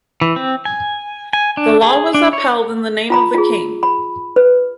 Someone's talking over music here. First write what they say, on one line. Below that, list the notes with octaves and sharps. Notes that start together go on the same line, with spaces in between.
The law was upheld in the name of the King.
E3
C4
G#5
G#5
D4
G#4
D4
C#5
F4 A#5 B5
F4 G#4
B5
B4